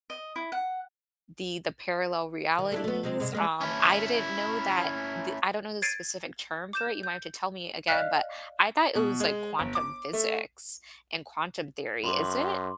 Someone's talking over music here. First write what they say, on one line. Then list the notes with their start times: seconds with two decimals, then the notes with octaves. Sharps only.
the the parallel realities, um, I didn't know that the I don't know the specific term for it, you might have to tell me again, but I thought it was, like, quantum physics and quantum theory, is it?
0.10 D#5
0.36 E4
0.52 F#5
2.58 D#3
2.72 A3 D4 E4
2.84 A3 B3
3.03 C3 G#3 C4
3.20 G2 C3 G#3
3.33 G3 G#3 A#3
3.61 C#4 E4
5.82 G#6 A6 C7 D7 D#7
6.73 D6 G6 E7
7.03 G6
7.88 D5 D#5 F5 F6 F#6 B6
8.95 B2
9.20 G#3
9.59 G1
9.75 D6
10.13 A3
12.04 F#2 B5 C6 D6